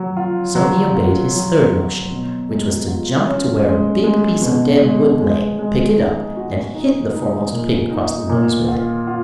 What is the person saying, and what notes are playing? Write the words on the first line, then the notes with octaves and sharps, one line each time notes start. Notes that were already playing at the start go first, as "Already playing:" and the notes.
So he obeyed his third notion, which was to jump to where a big piece of dead wood lay, pick it up, and hit the foremost pig across the nose with it.
Already playing: F#3
F4
F#3
F4
F#3
F#3
B2
G#3
F4
C#4
G#3
G#3
B2
G#3
G#3
G#3
D#4
F#4
D#4
D#4
A#2
D#4
A#2
F4
F4